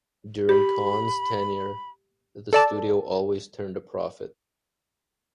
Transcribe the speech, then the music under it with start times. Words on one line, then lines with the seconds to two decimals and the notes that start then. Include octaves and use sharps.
During Cohn's tenure, the studio always turned a profit.
0.49 G4 B5
2.53 A4 D5 A5